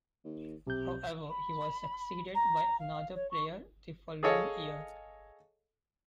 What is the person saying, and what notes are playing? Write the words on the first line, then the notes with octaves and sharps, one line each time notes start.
However, he was succeeded by another player the following year.
D#2
B1 C3 G6
B5
A#5
F5
C#5
C#6
G#4 A4 C#5 D#5 F5